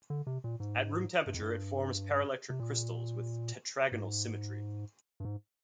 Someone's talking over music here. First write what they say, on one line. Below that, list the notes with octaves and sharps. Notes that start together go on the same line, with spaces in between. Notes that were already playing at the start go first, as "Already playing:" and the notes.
At room temperature it forms paraelectric crystals with tetragonal symmetry.
D3
C3
A#2
G#2
G2
F2
G2
C3
A#2
G#2
G2
G#2